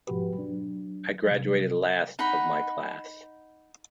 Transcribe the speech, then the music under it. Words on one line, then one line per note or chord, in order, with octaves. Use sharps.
I graduated last of my class.
G#2 B2 F3 F#4 G4 B4
F#3 D4
C3 F#3
D#4 F#5 B5